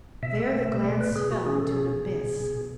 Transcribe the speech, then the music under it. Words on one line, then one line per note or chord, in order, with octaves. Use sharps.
There the glance fell into an abyss.
B2 E5
A3
B2 D5
B4
B2 G#4
F#4
C#4 G#4
A4
B2 G#4
B2
B2